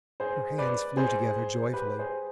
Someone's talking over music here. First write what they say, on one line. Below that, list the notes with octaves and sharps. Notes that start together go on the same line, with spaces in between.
Her hands flew together joyfully.
G#4 C5
B4 D5
G#4 C5
G4 B4
G#4 C5